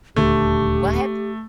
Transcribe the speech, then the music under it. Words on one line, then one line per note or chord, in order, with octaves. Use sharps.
Well, have y
D#1 D2 D3 A3 G4